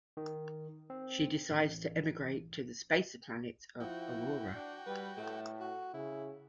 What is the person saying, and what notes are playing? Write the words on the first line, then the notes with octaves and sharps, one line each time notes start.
She decides to emigrate to the Spacer planet of Aurora.
D#3
C4
A1
F3 E4 F#4 G5
D4
G3 B4
A2 A3
F#4
C#3 E4